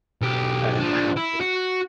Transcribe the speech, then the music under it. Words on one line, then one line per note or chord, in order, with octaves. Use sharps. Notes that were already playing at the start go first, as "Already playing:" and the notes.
uh, in the house
B1 G4
F3 D4
E4
F#4